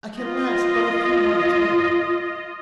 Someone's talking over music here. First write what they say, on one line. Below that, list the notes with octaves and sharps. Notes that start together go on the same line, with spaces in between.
I can last but a few moments more.
F4 D#5